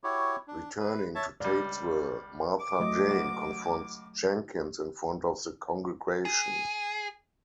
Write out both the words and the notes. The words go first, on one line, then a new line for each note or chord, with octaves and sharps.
Returning to Tatesville, Martha Jane confronts Jenkins in front of the congregation.
E4 F#4 G4 C#5
D4
B4
C#5 E5 A5
C#2 G3 D5
D6
F#3 A3 D#5
C#2 F#4
G#4